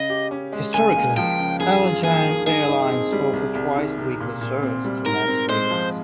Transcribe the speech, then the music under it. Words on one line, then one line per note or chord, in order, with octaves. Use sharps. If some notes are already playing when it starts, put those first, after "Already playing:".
Historically, Allegiant Airlines offered twice weekly service to Las Vegas.
Already playing: C#3 D#5
G4
C#4
G#3
C#2 G#5
A#3
F3 G5
C#3
G2 G#4
F4
A#3 G#4
D#3
G2 G#4
D#4
C4
G3
C2
C2
D#3
C3
A#2
A#2
C4
G3
G#2 A#4
C4
G#3 C5
F3